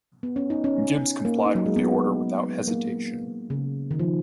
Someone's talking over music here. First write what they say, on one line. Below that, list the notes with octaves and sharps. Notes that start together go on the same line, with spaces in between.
Gibbs complied with the order without hesitation.
B3
C#4
D#4
C#4
A#3
D#4
F#3
G#3
B3
A#3
C#3
D#3
F3